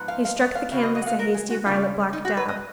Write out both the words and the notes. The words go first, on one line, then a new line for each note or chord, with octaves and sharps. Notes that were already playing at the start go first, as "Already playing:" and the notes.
He struck the canvas a hasty violet-black dab.
Already playing: G#2 F3 B3 D#4
F5
F5
C#5
F5
C#3 F#3 B3 F5
D#5
D#5
F#5
F5
A#4
G#4
F#4
C#3 G#3 C#4 F4
D#4
F#4
B4
D#5